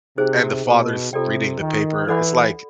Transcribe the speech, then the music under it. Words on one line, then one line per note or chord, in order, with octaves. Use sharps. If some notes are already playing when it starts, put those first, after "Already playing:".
And the father's reading the paper, it's like,
C3 D#4 G#4 C5
B2
C3 F4 A4 D5 G5
D#3
E3 A4 D5 F#5 B5